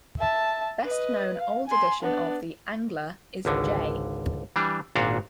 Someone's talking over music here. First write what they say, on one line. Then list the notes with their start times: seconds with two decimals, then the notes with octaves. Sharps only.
The best-known old edition of the "Angler" is J.
0.18 E5 A5
0.85 B4 D#5
1.38 F5
1.67 G#5 C6
2.03 B3 D4
3.45 G#1 C#2 D3
4.56 E3 G3 D4
4.95 G#1 A#2 D4 F#4 F5